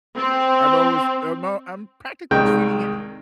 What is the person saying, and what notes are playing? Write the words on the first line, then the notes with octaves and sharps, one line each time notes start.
I'm always I'm all I'm practically treating it
C4
C2 D#3 G#3 G5